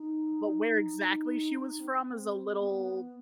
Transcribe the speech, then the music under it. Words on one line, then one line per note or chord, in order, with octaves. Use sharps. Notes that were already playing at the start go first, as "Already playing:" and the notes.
but where exactly she was from is a little
Already playing: D#4
D#4
D#4
C4
C4
B3